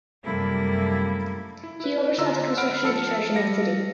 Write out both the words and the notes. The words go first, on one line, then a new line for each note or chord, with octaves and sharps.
He oversaw the construction of the Church in that city.
F#2 C3 G3 A3 A#3 E4
E4
E4 B4
D3 F4 A#5 E6
F#5 B5 F6 D7
F3 A4 A5 E6 F6 C#7
G3 F5 A#6 C#7